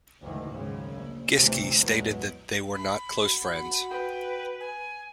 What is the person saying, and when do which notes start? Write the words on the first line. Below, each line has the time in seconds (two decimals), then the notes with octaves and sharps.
Giske stated that they were not close friends.
0.21 F#1 D2 G#2 D#3 E3
0.52 G#1 F#2 C#3 G#3
0.92 A#1
1.35 D2 C3 E3 A3
1.78 A1 E2 F#3 G#3 B3
2.74 B5
3.24 F#4
3.90 B4 G5
4.60 G#5